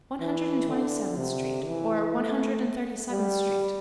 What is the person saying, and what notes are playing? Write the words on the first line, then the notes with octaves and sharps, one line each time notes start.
One Hundred and Twenty-seventh Street--or One Hundred and Thirty-seventh Street....
E3
D3
C3
E3
A3
G3